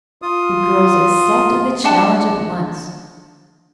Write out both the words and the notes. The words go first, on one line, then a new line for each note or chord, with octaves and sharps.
The girls accepted the challenge at once.
F4 D#6
D4 F#5 A5